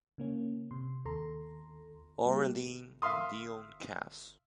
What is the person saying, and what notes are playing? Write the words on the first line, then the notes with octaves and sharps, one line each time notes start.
Orelli; Dion Cass.
C#3 A#3 C#4
C3 C6
D#2 A4 A#5 C6
G3 A#3 G4
E5 F5 C6 D#6